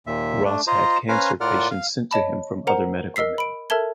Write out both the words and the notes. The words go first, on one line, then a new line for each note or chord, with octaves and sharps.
Ross had cancer patients sent to him from other medical men.
D#2 A#2 E5
A3 D4
F4 C5 D#5 A#5
C#4 B4 C5 F5 G#5 A#5
A2 F4 A#4 D5 F#5 F6
F5
C#5 D#5 A5 B5
A#4 C5 F#5 A#5
A#4 D#5 E6 B6 C7
B5 D7
A4 A#4 E5 A5 G#6 G7